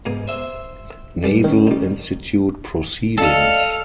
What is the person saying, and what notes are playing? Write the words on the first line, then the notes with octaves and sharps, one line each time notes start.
Naval Institute "Proceedings".
E2 G#2 A#3 G#5
C5 E5
C2 G2 G3
D#3 C#4
G3 D#4
A4 D5 D#5 F5 F6 C#7